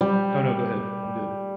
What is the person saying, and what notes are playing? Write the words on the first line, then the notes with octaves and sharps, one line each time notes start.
Oh, no, go ahead. I'm good.
G3